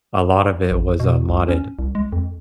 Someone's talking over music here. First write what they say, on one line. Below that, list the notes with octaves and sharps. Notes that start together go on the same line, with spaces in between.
a lot of it was a modded
A1
B2
C2
C#4
C2
G#3
F2